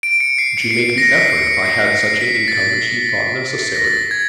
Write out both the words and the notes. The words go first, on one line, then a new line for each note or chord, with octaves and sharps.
Would you make the effort if I had such an income as you thought necessary?
D7
C#7
C7
C#7
C7
A#6
B6
C7
C#7
C#7
C7
C#7
C7
B6
B6
A6
A6
A#6
A6
G#6